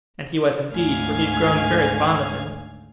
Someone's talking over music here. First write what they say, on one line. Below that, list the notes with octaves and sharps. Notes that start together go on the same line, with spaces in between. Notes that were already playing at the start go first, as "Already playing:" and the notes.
And he was indeed, for he had grown very fond of him.
D2 G#2 F5 G#5 G#6